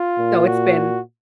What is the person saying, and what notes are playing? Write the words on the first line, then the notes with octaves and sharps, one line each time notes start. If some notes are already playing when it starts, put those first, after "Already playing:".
So, it's been
Already playing: F4
A#2
F#4